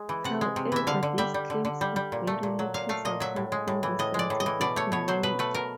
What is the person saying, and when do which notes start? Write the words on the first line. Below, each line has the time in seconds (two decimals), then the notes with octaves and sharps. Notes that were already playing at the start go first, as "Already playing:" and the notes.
However, these claims have very little support in the scientific community.
Already playing: G#3
0.09 E3
0.24 C3 F#5
0.41 G#3
0.56 C3
0.72 E3 E5
0.87 D3 F5
1.03 D3
1.18 G3 E5
1.34 G3
1.50 D3
1.65 D3
1.81 G3
1.96 G3
2.12 A#2
2.27 A3
2.43 A#2
2.59 F#3
2.74 A#2 F5
2.89 A3 F5
3.05 A#2 D#5
3.20 F#3 E5
3.36 A2
3.52 G#3
3.68 A2
3.83 E3
3.99 A2 D#5
4.14 G#3 D5
4.30 A2
4.40 D#5
4.46 E3
4.61 B2 D5
4.76 A3 C#5
4.92 B2 C#5
5.08 F#3 C5
5.23 B2 B4
5.39 A3 B4
5.54 B2 A#4